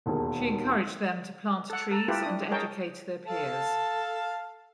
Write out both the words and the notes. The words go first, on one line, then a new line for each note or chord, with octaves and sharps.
She encouraged them to plant trees and educate their peers.
E1 D#2 D#3 G#4
A4 F#5
A4 A#5
E4 F4 G4 A4 B4
D4 D#6
G#4 A#4 C#5 D#5 G5 A5
A4 F5 A5